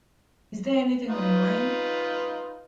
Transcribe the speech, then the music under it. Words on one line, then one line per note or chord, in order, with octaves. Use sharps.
Is there anything on your mind?
D#4 F4 B4